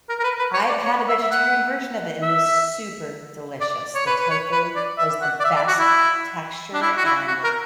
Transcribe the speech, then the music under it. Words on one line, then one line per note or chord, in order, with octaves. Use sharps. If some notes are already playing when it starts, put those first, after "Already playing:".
I've had a vegetarian version of it and it is super delicious. The tofu was the best texture and,
A#4
A#4
B4
B4
C#5
D5
C#5
E5
E5
F#5
E5
D5
C#5
B4
B4
C#5
B4
D5
E5
F#5
D5
E5
D5
F#4
E4
D4
E4
F#4
E4
F#4
A#4